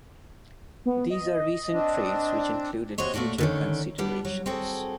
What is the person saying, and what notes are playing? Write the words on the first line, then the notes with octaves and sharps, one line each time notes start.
These are recent trades which included "future considerations".
B3
D#5
C4 D4
D#2 C3 F#4 C5 C#5 D#5
A#2 A3 D4 F#4 D5
D3 D#3 C#4
B2 G3 B3 D4
F#3
C4 F#4 G#4 A4